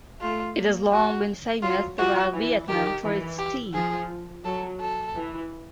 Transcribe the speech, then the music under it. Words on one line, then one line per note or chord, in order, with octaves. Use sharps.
It has long been famous throughout Vietnam for its tea.
A3 F4
A#3
F#4
F#3 F4
F3 F#4
E3
D#3 G4
E3
G4
F3 G#4
F#3 A4
A4
E3